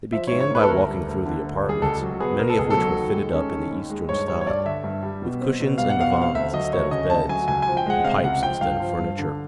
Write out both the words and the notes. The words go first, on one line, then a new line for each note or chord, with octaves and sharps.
They began by walking through the apartments, many of which were fitted up in the Eastern style, with cushions and divans instead of beds, and pipes instead of furniture.
F3 E5
G#2 C#5
C#5
A#3 B4
A4
D2 A#4
G3
D2
D3
D2
G3
G#4
C#2 A4
F#3
B3 G#4
B2 A#4
A4
C#2 G#4
A4
F#3
D#2
G#3
C#4
D#3
D#2
G#3
G2 C#5
G3 C#5
C#5
G2 D5
D3 E5
G2
G3
B2
C4
B2
G3 F5
F#5
B2 F5
F#5
C4
F5
D2 E5
F#3 D#5
D2 C#5
C#3 D#5
D2 A5
F#3 G#5
C#2 G#5
G#5
F3
G5
G#3 F#5
C3 F5
C#2 F#5
F3 G5
G2 F5
F3
G2
D3